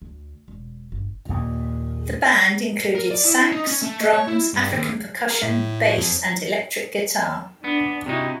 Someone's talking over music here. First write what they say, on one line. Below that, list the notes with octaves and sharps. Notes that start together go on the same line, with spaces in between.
The band included sax, drums, African percussion, bass and electric guitar.
D2
E1
G1
D#2 A#2
A#4
D5
E4
D#4
C#4
A3
D#5
C#5
E4
G2
D#2
A#4
A2
F2
B3 D4
C3 D#4 E4 F#4